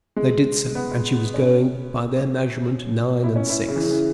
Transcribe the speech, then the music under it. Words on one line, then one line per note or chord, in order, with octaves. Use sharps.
They did so; and she was going, by their measurement, nine and six.
G#3
B3
C#4
E4
C#4
E4
C#3
E3
C#3
E3